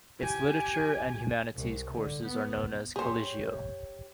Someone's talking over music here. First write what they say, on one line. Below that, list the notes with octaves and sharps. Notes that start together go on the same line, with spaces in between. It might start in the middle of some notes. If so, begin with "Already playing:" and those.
Its literature and humanities courses are known as "Collegio".
G4 G#5
C2
D3
B3
G4 G#4 C5 C#5